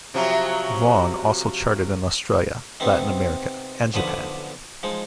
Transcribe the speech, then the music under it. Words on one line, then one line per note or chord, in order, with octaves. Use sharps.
Vaughn also charted in Australia, Latin America and Japan.
C3 F3 F#3
C3 B3 C4 D#4
B1 D3 F3 B3 B5 D#6
F3 G#3 D#4